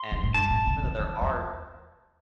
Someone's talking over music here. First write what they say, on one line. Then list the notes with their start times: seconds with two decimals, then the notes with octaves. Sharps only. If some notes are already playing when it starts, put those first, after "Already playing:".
and even though there are
Already playing: C6
0.12 E2
0.23 A2
0.34 G2 A5
0.50 A2
0.67 C3
0.83 D3
1.00 E3
1.21 E2